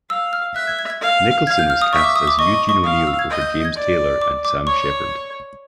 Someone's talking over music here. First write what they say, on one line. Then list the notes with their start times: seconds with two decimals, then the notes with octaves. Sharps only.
Nicholson was cast as Eugene O'Neill over James Taylor and Sam Shepard.
0.10 F5 E6
0.33 F6
0.56 E5 F#6
0.67 G#6
0.79 G#6
0.90 G#6
1.01 F5
1.47 F5 G#6
1.59 G6
1.70 F6
1.82 D#6
1.93 E5 C#6
2.04 D6
2.16 D#6
2.27 D6
2.39 D#5 C#6
2.54 C#6
2.69 C#6
2.84 F5 D#6
3.07 E6
3.19 G#6
3.30 D#5 G6
3.42 G6
3.65 G#6
3.76 D5
4.22 D6
4.45 D6
4.67 C#5 C#6